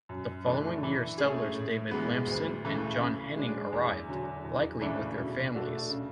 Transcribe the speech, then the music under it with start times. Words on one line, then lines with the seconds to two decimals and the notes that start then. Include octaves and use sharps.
The following year settlers David Lampson and John Henning arrived, likely with their families.
0.09 F#2
0.46 E3 A3 D4
0.83 E3
1.18 A3 C#4 G#4
1.55 A2
1.91 E3 G#3 B3
2.27 D2
2.64 C#3 E3 A3
2.99 C#3
3.36 G#3 D4
3.73 E2
4.08 D3 F#3
4.45 E2
4.81 C#3 E3 A3 D4
5.18 B2
5.54 A3 D4 F#4 A4
5.90 C#3